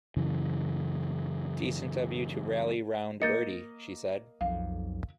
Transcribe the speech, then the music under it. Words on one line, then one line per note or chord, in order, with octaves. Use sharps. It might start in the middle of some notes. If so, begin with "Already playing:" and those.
"Decent of you to rally round, Bertie," she said.
F#2 C#3 E3
A#3 D#5 G6 A6 C#7
B1 F2 F5